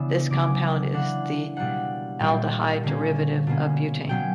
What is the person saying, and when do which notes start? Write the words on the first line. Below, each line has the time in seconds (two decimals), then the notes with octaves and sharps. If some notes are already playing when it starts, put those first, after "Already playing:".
This compound is the aldehyde derivative of butane.
Already playing: C#3 E3 B3 D4 E6
0.30 C#3 F#3 C#4 D6
0.93 E3 A#3 D4 F#5
1.57 B2 G3 A#3 F#5
2.20 A#2 G3 A#3 G5
2.83 D3 A#3 C#4
3.47 B2 A#3 C#4
4.09 B2 F#3 A#3 C#4 G5